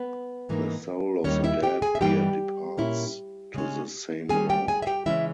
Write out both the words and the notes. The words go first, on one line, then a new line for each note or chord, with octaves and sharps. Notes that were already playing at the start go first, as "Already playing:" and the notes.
The soul of the dead bear departs to the same lord.
Already playing: B3 B4
G#2 E3 A#3 D#4
D#2 D#3 G3 A#3 C#4 D#4 C#5
E4 E5
G4 G5
G#4 G#5
E5
G2 E3 G3 B3 D#4 G4 G5
A#2 A#3 C#4 E4
C#3 G#3 C#4
D#3 G3 C#4 G#4 G#5
G4 G5
G#4 G#5
E5
G4 G5
C#3 E3 G#3 C#4 E4 E5